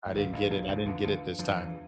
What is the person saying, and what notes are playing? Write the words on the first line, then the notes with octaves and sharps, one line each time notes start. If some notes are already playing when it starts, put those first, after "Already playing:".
I didn't get it I didn't get it this time.
A2
G1 G2 D4 F4 B4 F5
A1 A2
B1 B2
C2 C3
D2 D3
D2 D3
F2 F3
E2 E3